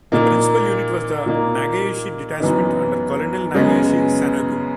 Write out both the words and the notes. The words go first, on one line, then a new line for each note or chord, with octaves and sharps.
The principal unit was the Nagayoshi Detachment under Colonel Nagayoshi Sanonebu.
A#2 A#3 D#4
A#2 A#3 D#4
F#2 E3 B3 D#4
F#2 C#3 G#3 B3